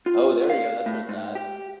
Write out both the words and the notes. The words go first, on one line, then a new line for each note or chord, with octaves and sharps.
Oh, there you go, that's where it's at.
F4
F5
A2
G#2
G4